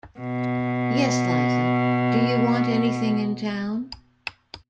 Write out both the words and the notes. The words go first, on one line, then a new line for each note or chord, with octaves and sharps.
Yes, Liza; do you want anything in town?
B2